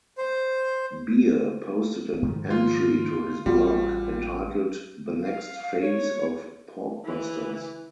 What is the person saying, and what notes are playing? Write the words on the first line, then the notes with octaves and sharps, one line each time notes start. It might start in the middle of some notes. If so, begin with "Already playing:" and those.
Bear posted an entry to his blog entitled The Next Phase of Porkbusters.
C5
G#2 D#3 F3
F4
A1 G3 F4 F#4
F5
C#5
E3